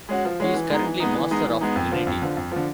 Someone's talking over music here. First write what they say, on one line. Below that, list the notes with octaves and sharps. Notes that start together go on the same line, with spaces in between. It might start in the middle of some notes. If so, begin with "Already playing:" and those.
He is currently Master of Trinity.
G#3 C#4 F#4
F3
G#3 C#4 F#4
E3
G#3 B3 D#4
E3
G#3 B3 D#4
E3
G#3 B3 D#4
E3
G#3 B3 D#4
F2
D3 F3
F2
D3 F3
F2
D3 F3